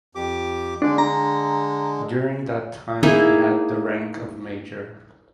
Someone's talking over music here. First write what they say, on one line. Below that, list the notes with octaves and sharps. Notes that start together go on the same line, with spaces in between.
During that time he had the rank of Major.
F2 G4 D6
D3 G#3 D4
A#5
A#3 D#4 E4 G#4